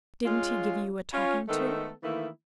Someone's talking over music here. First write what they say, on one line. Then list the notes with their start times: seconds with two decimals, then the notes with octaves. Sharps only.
"Didn't he give you a talking to?"
0.25 G#3 C#4 F4
1.13 C#4 F4
1.47 D#3 G#3 A3 B3 A4
2.02 D#3 E3 A3 A#3 E4